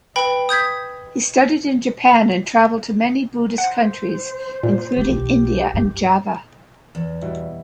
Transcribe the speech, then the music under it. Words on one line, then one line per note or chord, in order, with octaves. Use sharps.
He studied in Japan and traveled to many Buddhist countries including India, and Java.
B4 G5 B5
D#6 G6 G#6 B6
C5 F#5
A#2
F1 G4
B1
G2
E2
B2 E3 G3